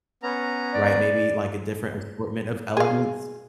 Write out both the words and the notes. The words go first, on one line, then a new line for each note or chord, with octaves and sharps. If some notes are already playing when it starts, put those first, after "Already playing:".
right? Maybe, like, a different assortment of elements,
B3 C#4 A#5
D5
G#4 F5